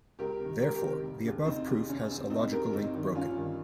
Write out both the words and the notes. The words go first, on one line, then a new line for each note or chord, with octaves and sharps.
Therefore the above proof has a logical link broken.
C#2 G4 A#4
C3 D#3
C#2 G4 A#4
G4 A#4
C3 D#3
F1
D#2 C#3
F1 C4 D#4
D#2 C#3
F1 C#4
F2 C#3 C4
F1 C4 D#4
F2 C#3 G4 A#4
G1 C4 D#4
G2 D#3
G1 C#4 F4
G2 D#3